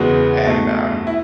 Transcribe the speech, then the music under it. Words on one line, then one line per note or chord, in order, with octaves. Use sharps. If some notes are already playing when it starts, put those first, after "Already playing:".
and, um
Already playing: E2 C#3 G#3 B3 F#4
B2 A3
E4